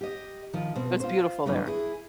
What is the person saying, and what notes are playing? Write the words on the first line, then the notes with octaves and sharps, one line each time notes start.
It's beautiful there.
G4 D#5
D#3 F3
B2 C4
F4 C5
G2 D3 E3 F#3 A3
E4 G#4